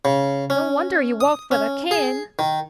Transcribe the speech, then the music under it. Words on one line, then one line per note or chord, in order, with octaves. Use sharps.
No wonder he walked with a cane!
C#3
C#4
D#6
C#4
G#4
D#3